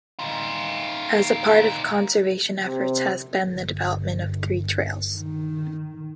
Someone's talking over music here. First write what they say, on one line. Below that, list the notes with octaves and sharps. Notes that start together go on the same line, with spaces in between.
As a part of conservation efforts has been the development of three trails.
D#4 F4
C3
G1
D#3